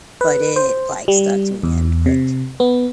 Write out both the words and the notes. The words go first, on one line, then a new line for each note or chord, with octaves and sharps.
but it, like, stuck to me, and quick
B4
C5
G3
E2
C3
B3